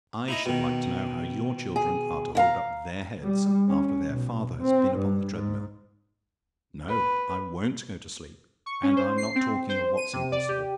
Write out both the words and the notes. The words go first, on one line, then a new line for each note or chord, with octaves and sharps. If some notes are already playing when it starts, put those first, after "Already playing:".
I should like to know how your children are to hold up their heads, after their father has been upon the treadmill?--No; I WON'T go to sleep. And I'm not talking of what's impossible.
D#4 E4 D#5
B2 D#3
G#4
E4 F5 A#5
G3
C#4
B1
C4
G2
G#2
B4
C#6
C#4
C5
C7
C4
C5
D#7
C3
D5
G4